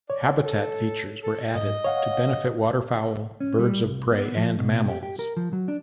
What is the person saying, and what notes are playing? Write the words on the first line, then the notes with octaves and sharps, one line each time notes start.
Habitat features were added to benefit water fowl, birds of prey and mammals.
C#5 D5
A4
A4
G#2 D#5
C#5 F5 F#5
C#4
G3
C2
B3
F3
B2
G4
G4
A#4
F3
F#3
D4